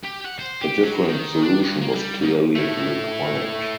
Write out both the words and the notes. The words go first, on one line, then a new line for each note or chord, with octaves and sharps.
A different solution was clearly required.
G4
F#5
C5
G4
F#3
D#3
D4
G2
A#3
G3
G#2
A3 E4